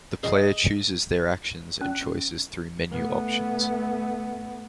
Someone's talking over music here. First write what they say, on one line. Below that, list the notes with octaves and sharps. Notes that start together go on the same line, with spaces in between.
The player chooses their actions and choices through menu options.
G#4 D#5
C#4
A3 B3